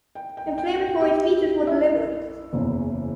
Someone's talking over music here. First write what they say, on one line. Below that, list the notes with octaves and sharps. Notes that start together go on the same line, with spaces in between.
Inflammatory speeches were delivered.
G5
G5
G5
G5
G4 G5
E4 E5
F#1 E2 C#3 E3